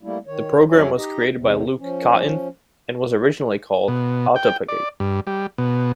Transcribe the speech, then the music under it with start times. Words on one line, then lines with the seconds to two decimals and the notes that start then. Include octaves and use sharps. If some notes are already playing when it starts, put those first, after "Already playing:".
The program was created by Luc Cottyn, and was originally called "autopkg".
0.03 G3 A3 A#3 E4
0.27 D#3 C#5
0.71 F2 F#3 C#5 E5 G#5
0.96 D#4 G4 D#5
1.37 E2 C3
1.80 F3 C#4
3.88 B2
4.36 G5
4.68 D5
5.00 G2
5.27 G3
5.58 B2